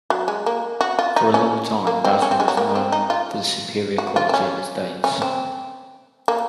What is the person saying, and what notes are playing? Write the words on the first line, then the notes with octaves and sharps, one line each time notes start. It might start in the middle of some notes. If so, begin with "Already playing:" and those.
For a long time, Basra was known for the superior quality of its dates.
F#3
G#3
A#3
F#4
F4
D#4
C#4
A#3
C4
C#4
C4
G#3
F#3
A#3
C4
D#4
F4
F#4
F4
C4
C#4
C#4
C4
A#3